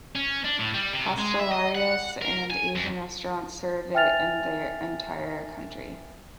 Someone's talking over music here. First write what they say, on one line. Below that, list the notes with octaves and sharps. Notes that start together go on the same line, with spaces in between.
"Pastelarias" and Asian restaurants serve it in the entire country.
C#4
D4
A2
G3
C3
G#3
E5
D#5
F#5
A#4
G#5
F2
E5 G5 G#5 F6 A6 F7